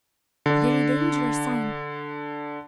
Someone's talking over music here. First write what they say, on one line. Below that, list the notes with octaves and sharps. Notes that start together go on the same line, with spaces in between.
'A very dangerous sign!
D3 D4